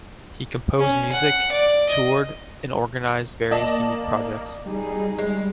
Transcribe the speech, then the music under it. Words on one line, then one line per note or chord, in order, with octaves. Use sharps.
He composed music, toured and organized various unique projects.
C#4
F#5
D5
D#5
A#3 D5 D#5 A5
G3 D#4 G#4
G3 G#3